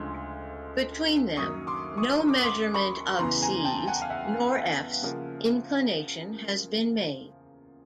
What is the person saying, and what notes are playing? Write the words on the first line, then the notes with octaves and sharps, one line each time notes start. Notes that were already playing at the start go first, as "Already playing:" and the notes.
Between them, no measurement of c's nor f's inclination has been made.
Already playing: D2 C#3 F3 G#3 C6
F#2 D#3 F#3 A#3 C#6 D#6
C6 D6
C#6 D#6
D6
D#6
C6 D6
B5 C#6
E2 C#3 E3 A#5 C6
G#5 A#5
G5 A5
F#5 G#5
F5
E5 F#5
C#3 F3 A#3